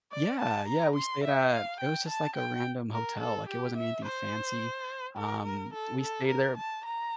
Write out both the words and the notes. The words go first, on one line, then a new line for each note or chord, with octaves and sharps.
Yeah, yeah, we stayed at it was just like a random hotel, like, it wasn't anything fancy, um, we stayed there
D5
A5
A#5
C6
E5
F5
G5
A5
G5
A#4
A4
G4
E5
C5
A#4
A#4
A4
A4
A#4
A5
A#5